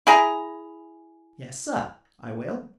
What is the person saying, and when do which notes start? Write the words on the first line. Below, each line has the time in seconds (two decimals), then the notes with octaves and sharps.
"Yes, sir, I will."
0.07 E4 G#4 A#5